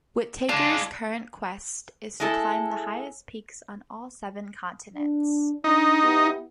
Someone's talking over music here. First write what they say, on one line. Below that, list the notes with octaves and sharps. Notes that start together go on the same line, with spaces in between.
Whittaker's current quest is to climb the highest peaks on all seven continents.
G#3 D4 F4
G#3 E4 A4
D4
D4 D#4
B3 E4 G4